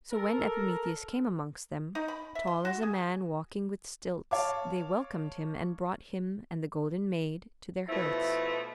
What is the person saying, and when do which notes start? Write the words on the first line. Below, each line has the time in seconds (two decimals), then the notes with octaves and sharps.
So when Epimetheus came amongst them, tall as a man walking with stilts, they welcomed him and brought him and the Golden Maid to their hearths.
0.12 A4 A#4
1.95 D#4
2.08 B5
2.35 E5
2.47 C6
2.65 F#4
2.83 G#4
4.31 C#5 F5 A5 D6
7.89 B2 F3 A3 E4